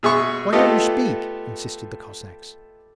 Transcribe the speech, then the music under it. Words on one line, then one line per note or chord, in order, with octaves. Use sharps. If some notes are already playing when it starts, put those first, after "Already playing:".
Why don't you speak?' insisted the Cossacks.
B2 G#4 E5 C#6
A3 B3 F4 G4 A4 D#5